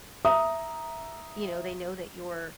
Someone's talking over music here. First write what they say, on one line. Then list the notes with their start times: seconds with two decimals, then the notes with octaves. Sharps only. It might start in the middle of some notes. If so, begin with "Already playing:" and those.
you know, they know that you're,
0.25 E5 A#5 D#6